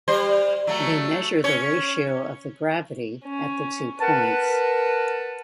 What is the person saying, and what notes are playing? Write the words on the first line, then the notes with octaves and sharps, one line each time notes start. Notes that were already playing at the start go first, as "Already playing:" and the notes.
They measure the ratio of the gravity at the two points.
G3 C5
F#3 A3
C#4 C#5
C#4
A#4 B4 F#5 A5